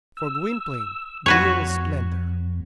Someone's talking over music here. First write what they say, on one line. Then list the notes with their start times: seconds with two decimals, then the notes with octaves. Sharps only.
For Gwynplaine, Dea was splendour.
0.17 E6
1.26 F2 F#4 B4 C#5